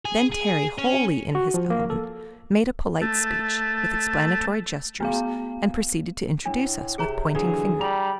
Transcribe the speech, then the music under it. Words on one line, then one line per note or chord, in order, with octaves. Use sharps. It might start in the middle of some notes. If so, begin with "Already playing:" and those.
Then Terry, wholly in his element, made a polite speech, with explanatory gestures, and proceeded to introduce us, with pointing finger.
G#4
G#4
C#4
F#4
F3
A#3
A4
A3
A3 B3 F5
A2 D4
C3 G#4 C#5 A#5
D3 E3 F#3 G#4 D5
G3 A#5 B5